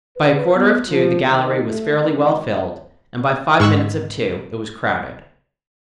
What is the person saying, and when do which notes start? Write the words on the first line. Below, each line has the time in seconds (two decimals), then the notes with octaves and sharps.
By a quarter of two the gallery was fairly well filled and by five minutes of two it was crowded.
0.16 B4
0.54 B3
0.89 F3
1.29 D#2
1.62 A3
1.98 G#1
3.60 G#2 C#6 E6 F#6